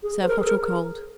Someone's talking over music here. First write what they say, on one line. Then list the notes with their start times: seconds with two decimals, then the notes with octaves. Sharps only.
Serve hot or cold.
0.03 G#4
0.23 C5
0.28 A#4
0.38 G#4
0.47 A#4